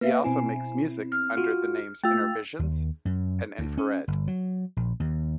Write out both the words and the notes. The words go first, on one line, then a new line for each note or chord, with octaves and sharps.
He also makes music under the names Innervisions and Infrared.
A#3 B4 E5 F5
B2 C4 E4 G#5
F6
F4 F#4
A3 F4 G5 E6 A6
D#2
F#2
D2
C#4
G1
F#3
A#1
D#2